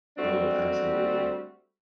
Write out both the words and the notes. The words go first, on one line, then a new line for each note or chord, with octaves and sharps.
Oh, absolutely.
G3 A3 C4 D4 F#4